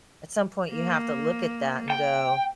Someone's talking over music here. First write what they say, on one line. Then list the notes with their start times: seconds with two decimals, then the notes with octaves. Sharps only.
At some point you have to look at that and go
0.71 A#3
1.90 G5